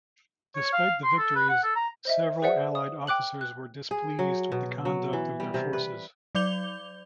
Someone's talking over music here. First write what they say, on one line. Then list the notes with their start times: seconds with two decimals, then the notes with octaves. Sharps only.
Despite the victories, several allied officers were displeased with the conduct of their forces.
0.56 C#5
0.73 F5
1.04 C6
1.18 A4
1.36 B4
1.49 F#5
1.64 A4
1.76 A#5
2.05 C5 D#5 E5
2.42 G#4 B4 C5 D5 E5 F#5
2.75 D#6
3.07 G5 D6 F#6 F#7
3.41 F#6
3.91 G#4
4.19 F#3
4.52 B2
4.85 F#3
5.13 E3
5.40 G3
5.54 C3
5.73 B4
6.35 F#3 D5 D6 G6 F7 G7